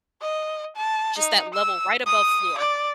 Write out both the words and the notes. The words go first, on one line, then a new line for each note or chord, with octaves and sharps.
just that level right above floor.
D#5
A5
D#4
E6
D#6
D5